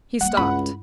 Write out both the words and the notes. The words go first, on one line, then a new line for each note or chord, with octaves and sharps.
He stopped.
G3 A#3 F#5
C#2 G2 E4 B5